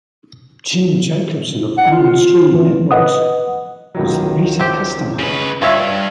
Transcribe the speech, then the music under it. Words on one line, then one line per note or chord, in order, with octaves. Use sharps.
Jim Jacobson of OnStream Networks was the Beta Customer.
F#5
F4
E3
B4 D#5 F#5 D#6
C#2 D#3 F#3
C4 G4
C#3 B4
G2 F4 C#5 E5